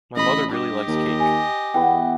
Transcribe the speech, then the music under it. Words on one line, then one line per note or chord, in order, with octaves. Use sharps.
My mother really likes cake.
A1 D#5 B5
G2 G4 D#5
D#2
G#5
E2 E3 B3 G5